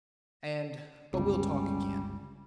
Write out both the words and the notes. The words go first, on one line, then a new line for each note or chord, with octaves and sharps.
And--but we'll talk again.
G1 C#2 G3 C#4